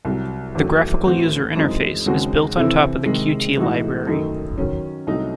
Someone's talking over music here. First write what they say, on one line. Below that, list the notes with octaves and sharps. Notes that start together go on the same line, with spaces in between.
The graphical user interface is built on top of the Qt library.
C2 C3 F#3
E2 D#3 F#3 A3
A2 E3 C4 F#4 C5
F#2 E3 G#3 C4 D#4
D#2 C#3 G#3 C4 F#4
C3 E3 C4 E4 A4
C3 D#3 G#3
A2 E3 G#3 D#4 F#4
F#2 D#3 A3 D#4
D#3 F#3 C#4
C2 C3 F#3 A3 D#4